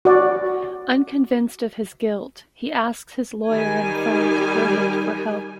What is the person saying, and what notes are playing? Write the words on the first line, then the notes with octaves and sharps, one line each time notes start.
Unconvinced of his guilt, he asks his lawyer and friend Rohit for help.
F#4 D5
D#3 G3 D#4 G#5